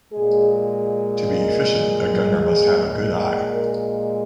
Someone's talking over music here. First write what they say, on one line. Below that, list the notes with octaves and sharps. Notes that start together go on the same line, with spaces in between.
To be efficient a gunner must have a good eye.
A#2 G#3 G#4
A#4
G#3 G#4
A#2
A#4